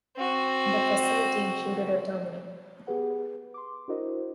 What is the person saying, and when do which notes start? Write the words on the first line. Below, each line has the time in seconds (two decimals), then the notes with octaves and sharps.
The facility included a terminal.
0.16 C4 F#4
2.87 B3 G4 G#4 B4 F#5
3.10 B4
3.54 C6 D6
3.88 D4 E4 F#4 A#4 C5 D#5